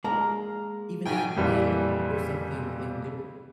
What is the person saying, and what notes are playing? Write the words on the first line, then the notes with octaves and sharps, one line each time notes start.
even at play, there's something indifference
G#3 A#3 A#5
B1 F#4 G5 G#5
F2 A#2 E3 G3